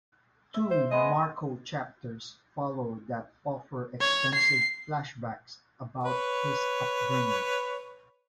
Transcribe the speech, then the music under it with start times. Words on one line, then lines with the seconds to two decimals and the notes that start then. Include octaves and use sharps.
Two "Marco" chapters follow that offer extensive flashbacks about his upbringing.
0.54 E5
0.71 C5
0.91 G#3 B3 D#5
4.00 C#5
4.34 C7
6.03 B4 C#5